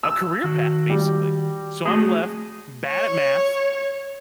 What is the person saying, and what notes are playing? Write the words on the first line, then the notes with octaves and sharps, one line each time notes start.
a career path, basically. So I'm left bad at math.
E6
D#3 F#4
G3
A3 F#4 G#4 D#6
C#5